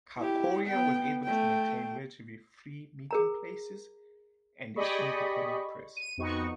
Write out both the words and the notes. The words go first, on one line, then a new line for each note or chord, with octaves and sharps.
Cachoeira was able to maintain relatively free meeting places and an independent press.
E4 G4
B3 G5
A3 G5
G#4 A#4 A#5
G4 G#4 D5 D#5 B5 C#6
D#7
F2 B3 D#4 F#4 C#6